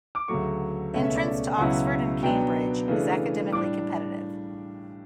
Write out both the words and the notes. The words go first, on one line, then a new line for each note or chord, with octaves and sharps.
Entrance to Oxford and Cambridge is academically competitive.
D6
D2 C#3 F#3 A3 C#6
C#2 B2 A3 C#4 E5
E5
D5
C#2 B2 F#3 C#4 E4 F#5
B2 F#3 B3 D4 G5
C#3 E3 A3 D4
A2 G3 D4 D6